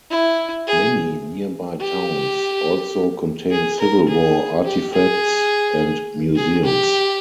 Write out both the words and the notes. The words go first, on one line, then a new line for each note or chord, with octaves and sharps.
Many nearby towns also contain Civil War artifacts and museums.
E4
G#4
G4
G#4
A#4
G#4
G4
G#4
G#4
G4